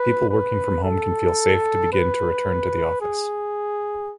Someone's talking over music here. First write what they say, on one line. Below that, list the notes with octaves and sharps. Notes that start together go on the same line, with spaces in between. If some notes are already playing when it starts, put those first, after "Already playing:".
People working from home can feel safe to begin to return to the office.
Already playing: B4
B4
A4
B4
G#4